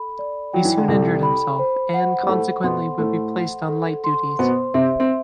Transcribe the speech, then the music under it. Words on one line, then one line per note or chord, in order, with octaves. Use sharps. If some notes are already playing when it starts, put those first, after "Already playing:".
He soon injured himself and consequently would be placed on light duties.
Already playing: A4 B5
D5
F#3 G5
E3
D3
C2 C3 A4
B5
C5
F#5
G3
A2 A3 A4
B2 B3 C6
A2 A3 C5
F#5
A4
C6
B2 B3 C5
C3 C4 E5
C4